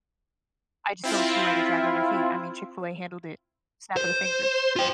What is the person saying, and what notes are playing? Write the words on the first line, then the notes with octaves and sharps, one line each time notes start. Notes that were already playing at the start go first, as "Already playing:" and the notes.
I just don't see why they're dragging their feet. I mean, Chick-fil-A handled it, snap of the fingers.
C4 E4 F4
C5
F4 G5